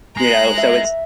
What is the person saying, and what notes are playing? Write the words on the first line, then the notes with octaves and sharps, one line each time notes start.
you know, so it's
G#3 A#5 F#6
E5